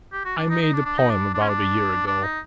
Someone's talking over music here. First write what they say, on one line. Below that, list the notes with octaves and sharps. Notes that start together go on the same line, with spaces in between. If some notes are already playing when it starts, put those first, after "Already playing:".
I made a poem about a year ago.
G4
F#4
D4
D#4
D#4
D4
D4
D#4
D4
D4
C#4
D4
D4
D#4